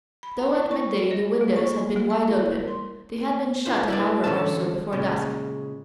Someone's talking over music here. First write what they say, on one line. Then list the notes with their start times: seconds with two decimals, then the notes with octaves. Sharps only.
Though at midday the windows had been wide open, they had been shut an hour or so before dusk.
0.23 B5
0.39 A#5
0.55 E4
0.71 C#6
1.11 D#5
1.41 A#3
1.56 C#6
1.96 A#3
2.10 E5
2.28 E4
2.50 A#4
2.68 C6
3.65 D4 F4 B4 C5
3.88 E4 B4 D5
4.24 D3 E3 C#4 A4 E5 A5
4.92 A#2 C#3 G#3